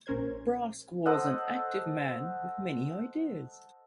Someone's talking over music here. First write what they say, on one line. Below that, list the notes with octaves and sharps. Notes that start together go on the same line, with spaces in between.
Brask was an active man with many ideas.
A#1 C#4 A#4 C5 G#6
A4 C5 D#5 F#5